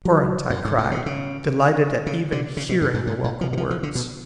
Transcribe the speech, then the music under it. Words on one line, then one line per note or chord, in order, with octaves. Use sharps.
"A torrent," I cried, delighted at even hearing the welcome words.
F#3
F#2
G#2
A2
B2
C#3
C#3
D3
C#3
B2
F#2
G#2
G#2
A2
F3
D3
F3
F3
D3
B2